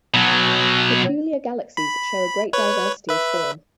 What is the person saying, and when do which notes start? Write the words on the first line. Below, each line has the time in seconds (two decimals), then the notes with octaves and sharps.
Peculiar galaxies show a great diversity of form.
0.14 B2 F#3
1.77 B5
2.53 B4 C#5
3.09 B4 E5